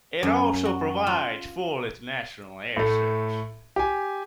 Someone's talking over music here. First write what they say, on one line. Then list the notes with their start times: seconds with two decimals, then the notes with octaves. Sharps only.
It also provides full international air service.
0.23 F#2
0.65 F#4
1.07 F4
2.77 A2 A3
3.76 G4 G#5